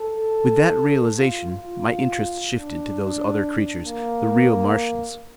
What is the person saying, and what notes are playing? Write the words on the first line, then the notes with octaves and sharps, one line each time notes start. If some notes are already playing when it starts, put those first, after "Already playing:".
With that realisation my interest shifted to those other creatures, the real Martians.
Already playing: A4
F4
F4
D4
A#3